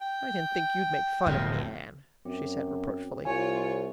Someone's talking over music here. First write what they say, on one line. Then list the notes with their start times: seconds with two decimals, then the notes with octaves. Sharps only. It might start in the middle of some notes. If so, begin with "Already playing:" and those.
"I didn't think you'd make fun of me, Anne," she said reproachfully.
0.01 G5
1.26 D1 F2 B2
2.25 F#2 C4
3.25 C2 F4 C#5 G#5